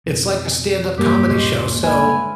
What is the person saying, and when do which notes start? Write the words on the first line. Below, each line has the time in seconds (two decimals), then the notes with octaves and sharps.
It's like a stand-up comedy show, so,
0.06 F2 B2
0.98 G2 G3 A#3 G4
1.29 D#1 G#3 C#4
1.83 E4 B4 G#5